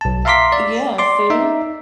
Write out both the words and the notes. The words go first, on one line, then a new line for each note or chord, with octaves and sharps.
Yeah, see.
B1 A5
E5 F5 A#5 C6 D6 B6
D5
D5 C6 D6
D#4 E5